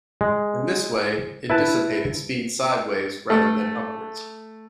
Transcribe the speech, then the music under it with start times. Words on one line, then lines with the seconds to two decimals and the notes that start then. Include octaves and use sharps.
In this way it dissipated speed sideways rather than upwards.
0.21 G#3
1.50 E4 B4 A5
3.30 A3